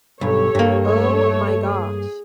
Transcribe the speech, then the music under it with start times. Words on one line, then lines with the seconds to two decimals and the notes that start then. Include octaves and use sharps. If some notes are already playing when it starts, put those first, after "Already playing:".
Oh my gosh.
0.21 B1 G2 G4 A4 C#5
0.55 G2 A#3
0.85 A3 A4 C#5
1.67 G#4